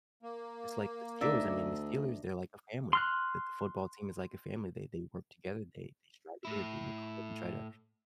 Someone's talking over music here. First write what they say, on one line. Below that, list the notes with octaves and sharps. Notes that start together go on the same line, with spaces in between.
it's like the Steelers. I mean, the Steelers, they're like a family, the the football team is like a family, they they work together, they they strive together, they work hard and try to,
A#3
D2 D4 D#4 D5 E5 E6
C6 F6 F#6
A2 E4